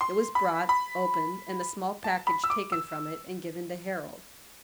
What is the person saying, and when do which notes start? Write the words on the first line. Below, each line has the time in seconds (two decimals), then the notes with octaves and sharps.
It was brought, opened, and a small package taken from it and given to Harold.
0.01 C6
0.35 B5
0.69 B5
2.04 A5
2.27 B5
2.44 E6
2.50 D6
2.72 E6